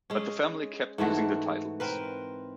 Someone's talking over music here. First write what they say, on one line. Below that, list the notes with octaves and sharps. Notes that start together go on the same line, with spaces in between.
But the family kept using the titles.
G#3 C#4
G#2 E3 A3 F#4
C4 A#4 B4